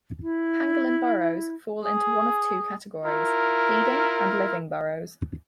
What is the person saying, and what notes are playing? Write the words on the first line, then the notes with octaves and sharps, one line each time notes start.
Pangolin burrows fall into one of two categories: feeding and living burrows.
E4
G#4
E4 F4 A#4